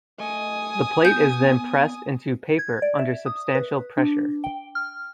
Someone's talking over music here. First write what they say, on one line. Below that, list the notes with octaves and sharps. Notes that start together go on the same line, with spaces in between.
The plate is then pressed into paper under substantial pressure.
A3 D#5 G#5 D#6
B3 G6
G#6
D5
E5
D#6
B4
D4
G5
F6